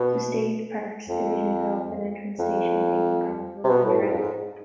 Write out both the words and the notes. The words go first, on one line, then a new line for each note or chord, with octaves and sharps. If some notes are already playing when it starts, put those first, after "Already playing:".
The state parks division developed an entrance station, picnic grounds, roads, and trails.
Already playing: B2
F2
F2
C3
B2
A2
G#2
F2
G#2